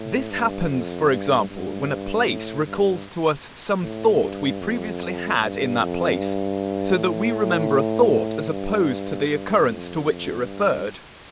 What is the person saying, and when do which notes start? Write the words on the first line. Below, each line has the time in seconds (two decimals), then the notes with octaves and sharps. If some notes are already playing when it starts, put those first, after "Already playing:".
This happens, for example, when a place recalls to us some thought we previously had in that place, so that we remember a thought as opposed to the occurrence to which it referred.
Already playing: A2
0.31 G2
0.70 F2
1.09 G2
1.48 G2
2.27 A2
2.65 G2
3.82 A2
4.21 G2
4.61 F2
5.38 G2
5.78 F2
6.17 G2
6.95 A2
8.50 G2
9.28 G2
9.67 F2
10.45 G2